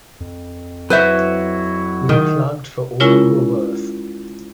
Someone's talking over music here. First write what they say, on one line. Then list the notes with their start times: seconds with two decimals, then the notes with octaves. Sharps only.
We plugged for all we were worth.
0.20 F2
0.90 F#3 E4 F#4 B4 C5 E5
2.09 D#3
3.00 G#3 C#4 E4 F4 A#4 C#5